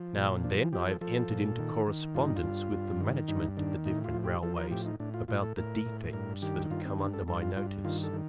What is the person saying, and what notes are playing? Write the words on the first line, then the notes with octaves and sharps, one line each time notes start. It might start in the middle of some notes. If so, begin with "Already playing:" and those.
Now and then I have entered into correspondence with the management of the different railways about the defects that have come under my notice.
Already playing: F3
A#2
F3 D4
F3 G4
A4
F3 A4
A#2
D#3
D#3
G2 F4
D#4
F4
G2
G2
D#3
G2 D#4
D#3 D4
A2 D#4
F4
F3
G4
F3 A4
A#4
A2 G4
D#4
A2 D4
F4
A2 F4
A4
A2 A#4
A2
G2 A#4
D#3 G4
G2 F4
C4
G2 D4
A4
G2 A4
F4
G2 F4
D#3 F4
A4
D#3